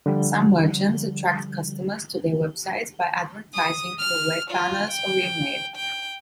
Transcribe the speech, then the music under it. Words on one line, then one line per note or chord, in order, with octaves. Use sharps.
Some merchants attract customers to their websites by advertising through web banners or email.
D3 F3 G3
D#6
F6
F4
G5
G5